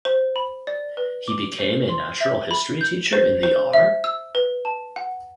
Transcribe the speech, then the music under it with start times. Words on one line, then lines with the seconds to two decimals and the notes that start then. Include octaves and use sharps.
He became a natural history teacher in the R.?
0.05 C5
0.36 B5
0.67 D5
0.97 B4
1.28 D6
1.59 C5
1.89 C6
2.20 E5
2.51 B5
2.81 G6
3.13 C5
3.43 C5
3.73 E5
4.04 E6
4.35 B4
4.65 A5
4.96 F#5